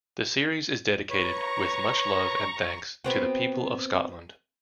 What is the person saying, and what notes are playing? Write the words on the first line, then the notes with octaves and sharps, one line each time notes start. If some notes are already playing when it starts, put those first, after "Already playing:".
The series is dedicated "with much love and thanks to the people of Scotland".
B4 C#5 A#5 C#6
B3 C4 F#4